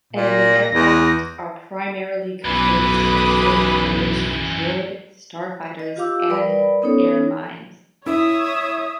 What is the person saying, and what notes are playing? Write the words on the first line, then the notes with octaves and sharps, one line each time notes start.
Enemy aircraft are primarily composed of Trade Federation Droid starfighters and air mines.
A#2
A#6
E2
B1 F#2 E3 B4 B5 D6 D#6
D#5
F4 G4 F5 D6 E6
G3 A#4 B4 D5 B5
B3 C#4 D#4 A4 C#5
E4 C#5 E5 D#6